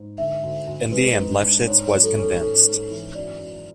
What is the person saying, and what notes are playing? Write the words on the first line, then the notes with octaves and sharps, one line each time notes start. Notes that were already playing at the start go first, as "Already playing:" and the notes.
In the end Lefschetz was convinced.
Already playing: G#2
D3 E5
D2
D2
G#3 B4
G#2
D4
G#2 C#5
C#5
F#3
A4
C#4
A4
G#2 A4
G#2
E3
F#2 D5
F#2